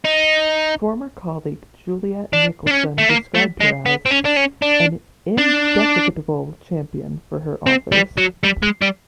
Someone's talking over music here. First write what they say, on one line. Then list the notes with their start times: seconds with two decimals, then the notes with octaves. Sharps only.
Former colleague Juliet Nicolson described her as "an indefatigable champion for her authors".
0.04 D#4
2.33 D4
2.67 D4
2.71 C#4
2.98 A3
3.09 A#3
3.35 A3
3.61 G#3
3.86 B3
4.06 C4
4.11 C#4
4.25 D4
4.37 C#4
4.62 D4
5.38 D4
7.66 C4
7.92 G3
8.17 F#3
8.44 G3
8.62 G#3
8.82 G3